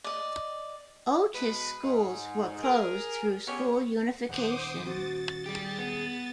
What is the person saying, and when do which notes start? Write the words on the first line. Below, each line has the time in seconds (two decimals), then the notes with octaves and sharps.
Otis schools were closed through school unification.
0.04 D5 D#5
1.34 B2 G#3 B4
1.83 G#2
2.63 G#4 A#4
3.47 B3 C#4 G4 G#4 C#5
4.29 D#1 C5 F#5 D6 D#6
4.85 F#4 A6
5.46 G3 G4 G#4
5.78 B3